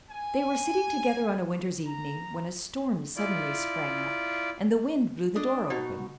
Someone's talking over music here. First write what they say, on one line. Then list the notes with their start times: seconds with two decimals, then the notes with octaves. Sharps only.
They were sitting together on a winter's evening, when a storm suddenly sprang up, and the wind blew the door open.
0.10 G#5
1.86 A#5
3.16 E4 F4 D5
5.35 D4 D#5
5.70 B2 D#4 F#4